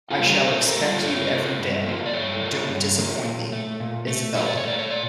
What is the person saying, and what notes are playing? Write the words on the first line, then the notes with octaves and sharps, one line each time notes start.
I shall expect you every day — don’t disappoint me! — Isabella.
F4 A4
G3 A#3
G4 A#4
A#2 A4 C#5
G4 A#4
G3 A#3
F4 A4
G2 A4 C#5
F3 A#3
G2
F3 A#3
D5
G2 A4 C#5
F3 A#3
G2
F3 A#3
A#2
A3
A#2
A3
A#2 C#5
D5
C#5
A3 D5
C#5
A#2 D5